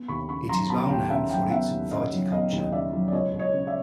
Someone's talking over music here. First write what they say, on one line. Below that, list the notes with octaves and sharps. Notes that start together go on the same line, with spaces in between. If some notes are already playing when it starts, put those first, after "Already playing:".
It is well known for its viticulture.
Already playing: B3
D#2 B5 C#6
C#3 B5 C#6
F#3 A#5 C6
B3 A5 B5
D#2 F5 G5
C#3 E5 F#5
F#3 F5 G5
B3 E5 F#5
D#2
C#3 D#5 F5
F#3
B3 D#5 F5
D#2
D#5
C#3 D5 E5
F#3
D5
C#2 C#5 D#5
C#2
C#5 D#5
C#3
D5 E5